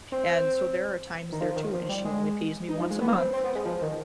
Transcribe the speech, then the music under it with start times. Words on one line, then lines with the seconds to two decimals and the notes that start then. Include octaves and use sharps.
and so there are times there too and she only pays me once a month,
0.12 C4
1.32 D#3
1.41 F3
1.56 D#3
1.73 F3
1.89 G3
2.05 G#3
2.69 D#4
2.80 F3
2.91 G#3
3.01 B3
3.18 C4
3.33 C4
3.44 B3
3.55 G#3
3.65 F3
3.82 D#3